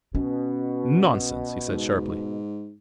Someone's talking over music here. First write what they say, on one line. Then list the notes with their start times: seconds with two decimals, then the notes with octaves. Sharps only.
"Nonsense," he said, sharply.
0.15 B2 C#4
1.68 G#2